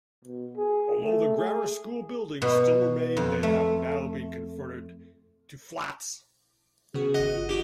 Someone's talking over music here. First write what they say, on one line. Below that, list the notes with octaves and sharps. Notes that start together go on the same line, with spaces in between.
Although the Grammar School buildings still remain they have now been converted to flats.
B2
G#4
A3
G#4
B2
F2
A3
C#3 B3 F#4 G#4
G1 D#5 F#5
F4
D4 F#4 G4